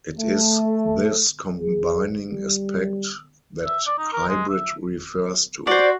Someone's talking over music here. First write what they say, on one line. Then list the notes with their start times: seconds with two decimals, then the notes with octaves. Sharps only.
It is this combining aspect that "hybrid" refers to.
0.18 A3
1.59 G#4
2.25 G3
3.65 E5
3.87 D5
3.98 D#4
4.13 A#4
4.29 G#3
4.49 E5
5.67 F#4 C5 D5